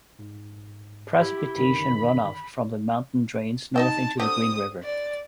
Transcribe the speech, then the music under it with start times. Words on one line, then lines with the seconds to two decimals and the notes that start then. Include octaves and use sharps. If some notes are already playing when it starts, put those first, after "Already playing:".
Precipitation runoff from the mountain drains north into the Green River.
0.19 G#2
1.16 E4 G4
1.56 F#2 D3 D#3 B5
3.76 D#4 D#5 G5 A5
4.20 D3 C4 G4 D#6
4.83 D5